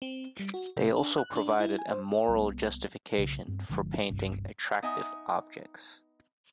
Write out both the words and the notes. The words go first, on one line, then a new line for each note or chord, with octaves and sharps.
They also provided a moral justification for painting attractive objects.
C4
G3
F#4
C3
D4
F#6
D4
E4
G#5
C5
C2 G3 A#3 B3
B1 C#3
G2 B3 C4
G1 D3 F3 G#3
G1 C2 G2 C3
B3 D#4 D#5 E5 G#5